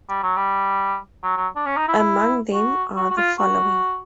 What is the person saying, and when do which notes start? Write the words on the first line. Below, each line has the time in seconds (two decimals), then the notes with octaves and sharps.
Among them are the following.
0.09 G3
0.23 F#3
0.36 G3
1.23 F#3
1.37 F#3
1.56 D4
1.66 C#4
1.77 D#4
1.88 E4
1.99 E4
2.53 F#4
2.97 F#4
3.11 F#4
3.17 F4
3.39 F#4